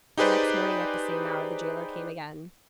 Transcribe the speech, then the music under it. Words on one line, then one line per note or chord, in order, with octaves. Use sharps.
The next morning at the same hour, the jailer came again.
D#4 G4 G#4 B4 C5 D5